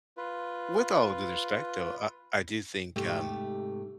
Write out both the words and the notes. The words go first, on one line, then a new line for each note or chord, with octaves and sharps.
with all due respect, though, I I do think, um,
F4 B4
G#2 C3 A3 G4